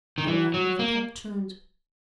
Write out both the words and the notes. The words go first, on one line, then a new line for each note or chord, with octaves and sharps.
The lad with the cap turned.
D#3
E3
F#3
A#3